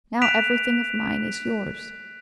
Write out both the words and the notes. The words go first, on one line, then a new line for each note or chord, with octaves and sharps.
Now everything of mine is yours.
F#6 B6 D7 E7 F7